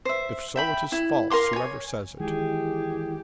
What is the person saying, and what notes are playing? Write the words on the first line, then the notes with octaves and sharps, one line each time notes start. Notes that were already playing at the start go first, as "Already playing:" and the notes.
If so, it is false, whoever says it.
C5 E5
E5 G5 B5
E4
A#4 F5 C6 D6
C#5 G#5
D#3 E3 G#3 G4 G#4